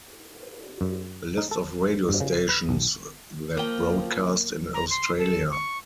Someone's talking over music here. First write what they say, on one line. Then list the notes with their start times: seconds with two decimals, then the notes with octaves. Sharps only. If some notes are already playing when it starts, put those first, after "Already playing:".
A list of radio stations that broadcast in Australia.
0.81 F#2
1.37 D#4
1.51 A4
2.09 G2
2.20 C#3
2.49 B4
2.69 B1
3.57 F3 A#3 G5
4.74 A#5
4.90 C6
5.18 A4
5.51 C#6